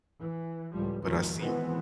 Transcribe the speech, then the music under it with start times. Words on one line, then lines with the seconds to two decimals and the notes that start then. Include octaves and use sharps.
But I see
0.19 E3
0.72 C#2 A2 F3 G3
1.02 D#2 G#2 B2 D#3 F3
1.38 B2 D#3 E3 G#3 B3 C4